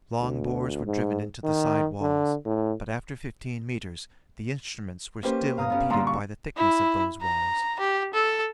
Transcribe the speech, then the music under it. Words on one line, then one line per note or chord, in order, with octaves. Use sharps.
Long bores were driven into the side walls; but after fifteen meters, the instruments were still impeded by the thickness of those walls.
D2
G#2
D#3
D3
A2
A#3 C#4 G4 B4 C5
G1 F5 A#5 D#6
B3 C#4 G4
G2 A#2 D3 F5 A#5 C6
C#6
E4
A#5
G4
A4